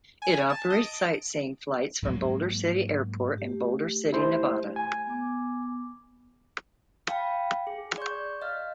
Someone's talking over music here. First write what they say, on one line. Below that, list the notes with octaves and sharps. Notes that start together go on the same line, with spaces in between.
It operates sightseeing flights from Boulder City Airport in Boulder City, Nevada.
G#5
A5
D#5
D7
G#2 F#3 A#3
A3 G4
E4 C5
G#5
B3 D6
F5 G5 A5 B5
G#4
D5 C6 C#6 G6
D#5 F5 F6